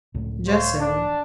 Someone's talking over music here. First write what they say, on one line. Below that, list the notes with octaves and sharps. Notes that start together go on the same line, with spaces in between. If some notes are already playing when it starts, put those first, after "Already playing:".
"Just so."
C#2 A2
C5 C#5 F5
D4